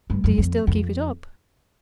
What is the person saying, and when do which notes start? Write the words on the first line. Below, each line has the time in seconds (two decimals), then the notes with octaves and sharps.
"Do you still keep it up?"
0.10 G2
0.24 F#2
0.38 F2
0.67 F2